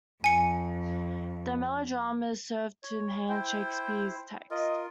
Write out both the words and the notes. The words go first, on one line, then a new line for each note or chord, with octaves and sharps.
The melodramas served to enhance Shakespeare's text.
F2 G#5 C#7
C#5
E4 C5 G5
F4 A#4 D#5